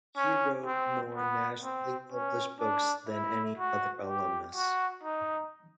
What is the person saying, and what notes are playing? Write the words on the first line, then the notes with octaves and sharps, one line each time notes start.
He wrote more nationally-published books than any other alumnus.
C#4
C4
B3
C4
C#4
D4
E4
F#4
G4
F#4
D#4